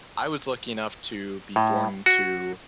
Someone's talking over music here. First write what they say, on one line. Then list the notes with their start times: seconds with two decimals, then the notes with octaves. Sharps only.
I was lucky enough to be born to
1.56 A2
2.06 F#4